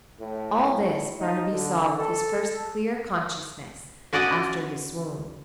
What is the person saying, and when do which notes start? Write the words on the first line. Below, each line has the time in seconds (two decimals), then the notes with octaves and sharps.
All this Barnaby saw with his first clear consciousness after his swoon.
0.20 A2
1.20 D#4
1.52 D3
1.98 A4
4.13 C#4 F#4 D5 D#5 F#5